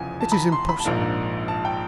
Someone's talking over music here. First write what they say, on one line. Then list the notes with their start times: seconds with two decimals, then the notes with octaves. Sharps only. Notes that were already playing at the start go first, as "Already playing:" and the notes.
It is impossible.
Already playing: F1 E2 C#3 F3 G#5
0.21 A5
0.32 B5
0.37 A#5
0.52 C6
0.69 B5
0.80 A5
0.84 A#1 G#2 F3 A#3 D4 A#5
1.48 A5
1.65 G5